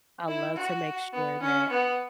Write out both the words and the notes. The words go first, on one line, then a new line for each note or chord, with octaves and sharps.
I love to make sure that
E4
F#4
B3
C#4
B3